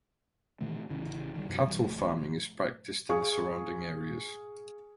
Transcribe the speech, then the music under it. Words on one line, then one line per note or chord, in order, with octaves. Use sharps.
Cattle farming is practiced in the surrounding areas.
A#2 D#3 E3 A3
A1 C#3 E3
C2 D#3 F#3 G3
F#2 B2 F3 F#3
B2 E3 G3
D1 F3 A3
G#4 F5 C#6